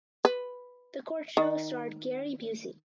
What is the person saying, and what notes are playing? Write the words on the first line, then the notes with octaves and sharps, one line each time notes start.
The court show starred Gary Busey.
B4
D#3